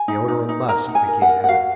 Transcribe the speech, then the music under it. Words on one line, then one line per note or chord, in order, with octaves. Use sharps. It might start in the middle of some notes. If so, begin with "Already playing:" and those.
The odor of musk became evident.
Already playing: G#5
D#4
D#4
D#4
A#4 A#5
D#4
G#5
A#4
F#5
A#4
F#5
F#4 F5